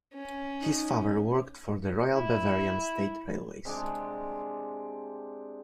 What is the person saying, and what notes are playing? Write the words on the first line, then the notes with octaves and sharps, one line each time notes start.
His father worked for the Royal Bavarian State Railways.
C#4
D#4
E4
C3 G#3 D4 G4